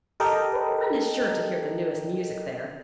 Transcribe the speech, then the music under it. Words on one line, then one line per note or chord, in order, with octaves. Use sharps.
But one is sure to hear the newest music there.
G4 A4 A#4 D#5 G5